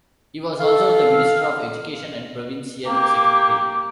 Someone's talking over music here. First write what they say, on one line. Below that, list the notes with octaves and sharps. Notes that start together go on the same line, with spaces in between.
He was also the Minister of Education and Provincial Secretary.
A4 F5
A#3 G4